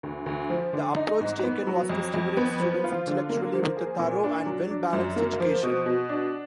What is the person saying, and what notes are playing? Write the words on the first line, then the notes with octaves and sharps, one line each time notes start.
The approach taken was to stimulate students intellectually with a thorough and well-balanced education.
D2
D2
F3
D3
D#4
G#2
B3
F#3
F2
F2
B3
F3
F4
D3
A#3
F3
G#4
A#2
D4
F#3
D4
F#2
A#3
F3
B2
B2
D4